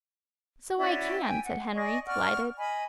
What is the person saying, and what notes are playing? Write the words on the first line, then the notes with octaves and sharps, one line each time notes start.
"So I can!" said Henry, delighted.
C#4 E4 F#4 D5
G5 G#5
F#5
D5 D#5 G#5 C#6
D5 F#5 C#6 F6
D#5 G#5 B5